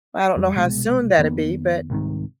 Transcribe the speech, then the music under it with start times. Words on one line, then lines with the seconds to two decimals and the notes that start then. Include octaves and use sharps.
I don't know how soon that'll be, but
0.36 F2 G3
0.56 C2 B2 G#3
1.17 F2 D#3 A#3 B3
1.90 C2 G#2 C3 D#3